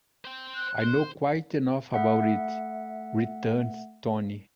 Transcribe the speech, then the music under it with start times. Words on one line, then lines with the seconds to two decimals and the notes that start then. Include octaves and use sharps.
"I know quite enough about it," returns Tony.
0.25 C5 G5
0.55 F#6
0.81 C5
1.94 A3 E5 F#5